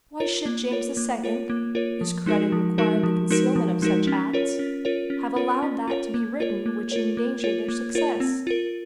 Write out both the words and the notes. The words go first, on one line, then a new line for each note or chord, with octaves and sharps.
Why should James II., whose credit required the concealment of such acts, have allowed that to be written which endangered their success?
F4 A#4 C#5
A#3
F4 A#4 C#5
A#3
F4 A#4 C#5
A#3
F4 A#4 C#5
F3
G#3 D#4 F#4 A#4
F3
G#3 D#4 F#4 A#4
F3
G#3 D#4 F#4 A#4
F3
G#3 D#4 F#4 A#4
C#4
F4 A#4 C#5
C#4
F4 A#4 C#5
C#4
F4 A#4 C#5
C#4
F4 A#4 C#5
A#3
F4 A#4 C#5
A#3
F4 A#4 C#5
A#3
F4 A#4 C#5
A#3
F4 A#4 C#5
C4
F4 A#4